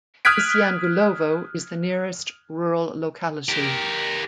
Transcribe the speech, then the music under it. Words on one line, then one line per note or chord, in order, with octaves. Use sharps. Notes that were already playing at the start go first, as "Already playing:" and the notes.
Isyangulovo is the nearest rural locality.
D#6 F6 F#6 G#6 B6 D7
G4 A#4